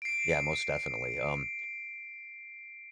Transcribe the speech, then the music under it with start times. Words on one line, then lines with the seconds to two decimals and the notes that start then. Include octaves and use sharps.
yeah, most definitely, um
0.02 C7 D7